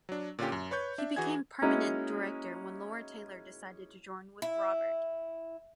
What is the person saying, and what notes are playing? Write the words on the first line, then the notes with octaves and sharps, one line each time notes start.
He became permanent director when Laura Taylor decided to join with Robert.
F#3 D4
A#2 D3 C#4 F4 G4
F#2
B4 C#5 C#6 G6
D4 E5
E3 F#4 G#4 G#5 G#6
G#3 A#3 C#4 D#4 E4 F#4
E4